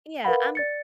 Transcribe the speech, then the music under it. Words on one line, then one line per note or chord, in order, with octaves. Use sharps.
Yeah, I'm
A#4 B4 F5 F#5 B5
D5 A6 C#7